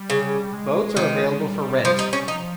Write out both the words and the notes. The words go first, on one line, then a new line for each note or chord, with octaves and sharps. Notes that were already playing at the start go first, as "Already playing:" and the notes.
Boats are available for rent.
Already playing: G3
C#3
G#3
D#3
G3
F3
D#4
C#4
F3 D#4